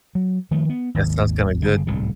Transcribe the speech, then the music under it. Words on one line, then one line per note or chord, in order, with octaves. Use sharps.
That sounds kinda good.
F#3
D#3 F3 A3
B3
G#1 D#2
G1 C#3
D1 C2 G#2 D3